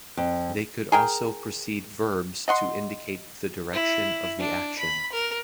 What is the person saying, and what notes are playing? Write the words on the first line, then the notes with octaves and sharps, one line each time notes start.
They could also precede verbs to indicate the direction of the action.
F2
G#4 A#4 G5
D#5 F#5 C6
E4
D4
B5
A#4